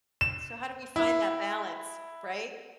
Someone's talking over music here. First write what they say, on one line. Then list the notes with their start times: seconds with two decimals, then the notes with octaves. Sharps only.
So how do we find that balance, right?
0.21 E7
0.96 E4